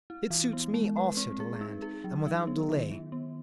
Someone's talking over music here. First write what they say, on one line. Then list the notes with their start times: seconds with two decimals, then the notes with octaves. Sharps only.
It suits me also to land, and without delay.
0.10 E4
0.30 E3
0.53 B3
0.74 G#3
0.96 B4
1.17 C4
1.40 G#4
1.61 D#4
1.82 G#4
2.04 F#3
2.27 D#4
2.47 B3
2.69 D#3
2.92 D#3
3.12 B3